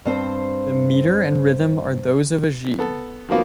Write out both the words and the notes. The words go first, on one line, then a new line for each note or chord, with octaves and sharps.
The meter and rhythm are those of a gigue.
G2 C4 C5 A5
B3 A4
D#3 F3 F#3 A#3 B3